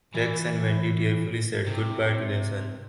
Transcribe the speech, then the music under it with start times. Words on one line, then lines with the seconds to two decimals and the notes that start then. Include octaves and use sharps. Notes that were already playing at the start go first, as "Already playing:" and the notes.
Rex and Wendi tearfully said goodbye to their son.
0.14 E3
1.67 C3